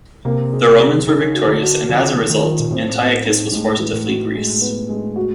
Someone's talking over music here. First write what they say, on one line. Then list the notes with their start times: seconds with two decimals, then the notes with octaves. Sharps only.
The Romans were victorious, and as a result, Antiochus was forced to flee Greece.
0.25 C3 A#3
0.53 G#4
0.80 G#4
1.07 C#3 D#4
1.34 F#4
1.48 D3
1.62 F#4
1.89 D3 F3
2.16 A3
2.30 D#3
2.43 F4
2.60 A#2
2.71 A2 C4
2.98 C4
3.25 D#4
3.52 A2 G#3
3.80 E3
3.93 A2
4.07 F#4
4.35 G#3
4.61 B3
4.89 G#3
5.16 F#4